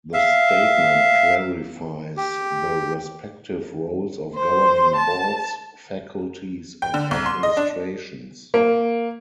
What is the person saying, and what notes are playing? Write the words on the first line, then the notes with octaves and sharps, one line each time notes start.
The statement clarifies the respective roles of governing boards, faculties, and administrations.
E5 F5
G4
C5
A5
G5
D3
C2
C6
D#5
D4
A#3